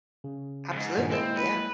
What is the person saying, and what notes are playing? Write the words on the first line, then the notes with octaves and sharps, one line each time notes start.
Absolutely, yeah.
C#3
E2 G#2
G2 A#2 D#3
G#3 A#3 C4 E4
B4